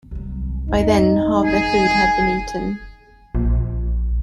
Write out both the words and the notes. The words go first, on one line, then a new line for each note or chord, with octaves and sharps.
By then half their food had been eaten.
C2 F#3
F2 F3 D#4
G#4 G#5
A#1